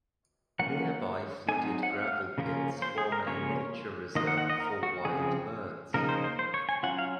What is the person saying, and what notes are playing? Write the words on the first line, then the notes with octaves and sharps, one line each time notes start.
Nearby flooded gravel pits form a nature reserve for wild birds.
F#3 A#3 C#4 F4 F#5
F#3 C4 D#4 G#5
F#5
F5
C#3 F3 A#3 C#4 F4
C5
G#4
A#4
C#3 F3 A#3 C#4 F4 C#5
D#3 A#3 F4 D#5
F#5
F#5
D#5
A#4
F#4
C#3 F3 C4 G#4
C#3 F3 A#3 D#4 A#4
C5
C5
C5
C#5
G#5
F#3 C#4 F4 F#5
F5